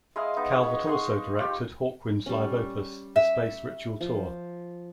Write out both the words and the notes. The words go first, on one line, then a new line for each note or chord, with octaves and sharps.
Calvert also directed Hawkwind's live opus, the Space Ritual Tour.
G#3 E4 D#5 F5
B3 D#4
D#4 C#5
C#5 B5
D#4 G#4 C6 C#6
F4 G4 G5
G3 C#4
E5
F3